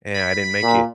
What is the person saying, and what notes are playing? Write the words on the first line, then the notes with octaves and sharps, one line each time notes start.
and I didn't make it.
B5
A#2